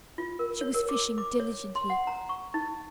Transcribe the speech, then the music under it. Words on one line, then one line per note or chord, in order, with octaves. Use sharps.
She was fishing diligently.
F4
A#4
C#5
A#4
D6
D6
C#5
C6
F#5
A#5
C#6
D#4